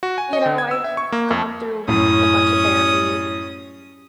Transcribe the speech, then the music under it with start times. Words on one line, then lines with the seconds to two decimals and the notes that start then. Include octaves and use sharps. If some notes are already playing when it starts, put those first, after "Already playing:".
you know, I've gone through a bunch of therapy,
0.03 F#4
0.18 G#5
0.33 D#5
0.46 D3
0.58 G#6
0.71 E6
0.84 E5
0.97 C#6
1.12 A#3
1.31 F2
1.88 F#2 A2 C#4 D#6